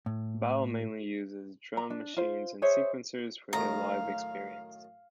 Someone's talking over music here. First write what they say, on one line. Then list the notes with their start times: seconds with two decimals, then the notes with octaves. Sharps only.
Bile mainly uses drum machines and sequencers for their live experience.
0.06 A2
1.77 A#5
1.90 D4
2.17 F4 C5
2.62 G#4 C5 C#5 E5
3.53 F#2 A2 D#3 F5 A#5